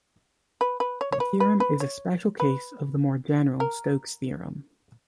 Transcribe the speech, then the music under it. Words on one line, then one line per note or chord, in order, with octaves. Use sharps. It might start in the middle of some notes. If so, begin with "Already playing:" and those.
The theorem is a special case of the more general Stokes' theorem.
B4
B4
C#5
C#5
B4
B4
B4
C#5
B4
A#4